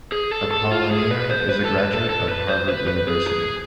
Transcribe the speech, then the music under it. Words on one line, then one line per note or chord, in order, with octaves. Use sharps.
Apollonia is a graduate of Harvard University.
G#4
A4
A4
F4
G#4
B4
C5
B4
A4
B4
A4
A4
B4
C5
B4
B4
G#4
G#4